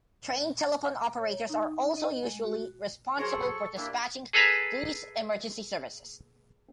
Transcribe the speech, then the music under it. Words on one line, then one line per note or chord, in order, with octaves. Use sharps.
Trained telephone operators are also usually responsible for dispatching these emergency services.
C#5
A#5
D#4
D#5
G#3
F#4
F#3 G#4 A#4 C5 C#5
A4 C#6
A#3 D4 E4 G4
G#4 A4 B4 G#5 A#5